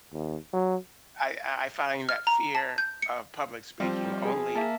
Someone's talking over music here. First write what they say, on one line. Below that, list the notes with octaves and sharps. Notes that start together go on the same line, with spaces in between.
I I I find that fear of public speaking only
D#2
F#3
F6
A#5
A5
G6
C#7
F3 G3 C4
G#4
A#3 E5 A5